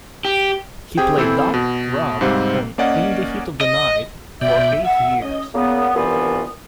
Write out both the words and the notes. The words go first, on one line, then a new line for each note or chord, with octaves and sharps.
He played "Doc" Robb on "In the Heat of the Night" for eight years.
G4
C4 G4 G#4 G5
E3 C4 E4 A4 C5
B2
G#2 C3 G3 C4 F5
A#3 C#4 D5 D#5 F#5
D#5
B2 D5 E5 G5
E5 F#5
C#4 D#5
A#2 C#3 A#3 B3
C2 G2 A#2 E3 B3 F4